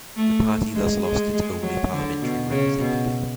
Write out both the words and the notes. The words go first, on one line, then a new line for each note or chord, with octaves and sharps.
The party thus lost its only parliamentary representative.
A3
G#3
G#3
G#3
F#3
D3
B2
C#3
B2